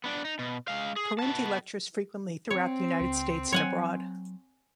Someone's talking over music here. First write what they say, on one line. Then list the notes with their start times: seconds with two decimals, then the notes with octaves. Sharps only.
Parenti lectures frequently throughout the United States and abroad.
0.04 B3 D4
0.25 D#4
0.39 B2
0.68 G#3 F5
0.96 G#4
1.19 B3 A5
2.51 C4 C#5
3.01 C#2
3.52 F#3 C#5 F#5 G#5